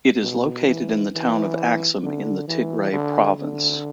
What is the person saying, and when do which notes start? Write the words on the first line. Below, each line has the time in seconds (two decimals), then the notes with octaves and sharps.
It is located in the town of Axum in the Tigray Province.
0.21 B2
0.66 E3
1.12 E3
2.03 D3
2.48 E3
2.92 D3
3.39 D3